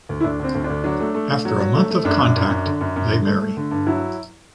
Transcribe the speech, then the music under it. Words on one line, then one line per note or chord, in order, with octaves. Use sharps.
After a month of contact, they marry.
D2
E4
D2 D4
D3 C4
D2
D4
D2
F#3 D4
A3
A3
A3
F#3
F#3
A3
A3
F#2 D4
F#2
F#2
F#2
D3
F#2
F#2
D3
A3
A3
D3
G2
F#3 E4